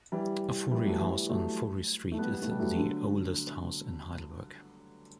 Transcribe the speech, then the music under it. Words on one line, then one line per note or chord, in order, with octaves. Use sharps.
"Fourie House" on Fourie Street is the oldest house in Heidelberg.
E3 G3
E3 G3
F#3 A3
E3 G3
F#3 A3
A3
G3 B3
B3
A3
G3
F#3 A3
D3 F#3